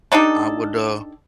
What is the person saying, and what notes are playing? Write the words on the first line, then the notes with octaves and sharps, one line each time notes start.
I would, uh,
D4 D#4 G4 A4